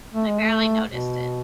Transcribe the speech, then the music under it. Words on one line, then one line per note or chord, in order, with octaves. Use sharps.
I barely noticed it.
A3
G#3
A3
B2